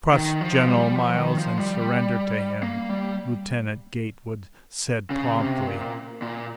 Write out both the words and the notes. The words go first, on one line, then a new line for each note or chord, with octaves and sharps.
"Trust General Miles and surrender to him," Lieutenant Gatewood said promptly.
D#3
F3
G3
F3
D#3
F3
G3
A#3
G3
C#3
C3
A#2
A#2